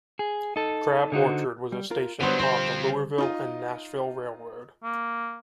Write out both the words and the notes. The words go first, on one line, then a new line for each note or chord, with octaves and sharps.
Crab Orchard was a station on the Louisville and Nashville Railroad.
G#4
D#4 A4
D3 D#4 F#4 C5
G3
F4 A#4
D3 E3 F#3 G3 B3 C5
F3 C4 C5
D#4 F4 D#5
A#3